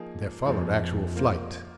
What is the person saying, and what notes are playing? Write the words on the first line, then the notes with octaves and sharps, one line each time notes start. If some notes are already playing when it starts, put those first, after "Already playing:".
There followed actual flight.
Already playing: F3 A#3 D#4 G#4
F2 A#2 F3 G#3
A#3 F4 C5